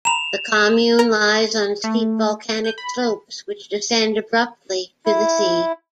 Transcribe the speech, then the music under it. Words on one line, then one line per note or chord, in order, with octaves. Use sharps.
The commune lies on steep volcanic slopes which descend abruptly to the sea.
A#5 B5 E7 F7
A#4
A3
G6
B5
E4